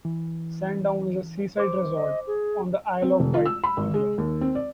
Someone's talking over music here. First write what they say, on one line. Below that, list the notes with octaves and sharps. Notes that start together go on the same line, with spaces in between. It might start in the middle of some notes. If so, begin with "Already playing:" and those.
Sandown is a seaside resort on the Isle of Wight, England.
E3
C5 D6
D#5
G#4
C4
F1
F4
E6
B5
G#1
G#3
D#2
C4
D5